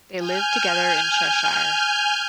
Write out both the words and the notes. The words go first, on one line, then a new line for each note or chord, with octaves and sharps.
They live together in Cheshire.
G#5 F6 G6